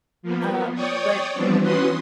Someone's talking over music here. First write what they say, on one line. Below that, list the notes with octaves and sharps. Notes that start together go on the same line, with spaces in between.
Um, but
F3 A#3 B3
C#5 D5 G5 C#6 D#6
E3 F3 G3 B3 C4 D4
E3 C#4 F#4 B4 C6 D#6